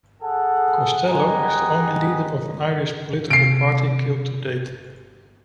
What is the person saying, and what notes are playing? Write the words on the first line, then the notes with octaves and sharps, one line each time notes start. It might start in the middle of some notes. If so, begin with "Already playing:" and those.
Costello is the only leader of an Irish political party killed to date.
G#4 A4 F#5
G3 G#3 D#5 F#5 G#5 A#5
C3 C7 D7